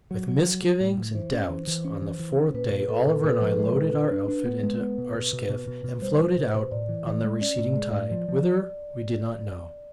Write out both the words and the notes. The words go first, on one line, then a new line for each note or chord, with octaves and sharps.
With misgivings and doubts, on the fourth day Oliver and I loaded our outfit into our skiff and floated out on the receding tide, whither, we did not know.
F#3
F#3
F#3
F#3
A2
A2
E3 C5
C#4
E3
E3
C#4
E3
E3
C#4
A#2 B4
A#2
A#2 A4
A#2
A#2 B4
F3
G#3
A#2
D4
D4
D4
B3
G#3
B3
B2
B2
B2
B2
B2
B2
G3 C5
B2
B2
B2
A2 D5
E3
E3
G#3
C#4 D5
A2
G#3
A2
F3
F3